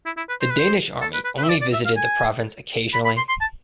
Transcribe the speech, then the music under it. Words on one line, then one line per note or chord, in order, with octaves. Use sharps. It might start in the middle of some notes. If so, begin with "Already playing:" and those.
The Danish army only visited the province occasionally.
E4
E4
B4
C5
B4
C5
A4
B4
B4
B4
E5
D5
D5
E5
F5
G#5
B5
B5
C6
C6
A5